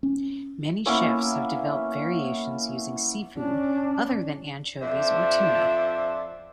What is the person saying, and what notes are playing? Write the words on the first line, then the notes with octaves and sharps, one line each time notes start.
Many chefs have developed variations using seafood other than anchovies or tuna.
C#4
A#3 B3 C#4 E4
C#4 D4
F2 F3 D4 C5 E5